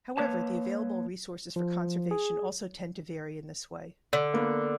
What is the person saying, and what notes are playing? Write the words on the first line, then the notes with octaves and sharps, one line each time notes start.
However, the available resources for conservation also tend to vary in this way.
A#3 B4 C#5 A5
F3
G#4
D3
A#3 B3 D4